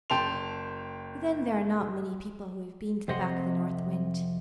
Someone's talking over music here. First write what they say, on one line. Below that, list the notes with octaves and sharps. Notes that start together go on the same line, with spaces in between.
But then there are not many people who have been to the back of the north wind.
F#1 G5 A5 C6 F7
F2 C3 C5 D#5 F#5 C6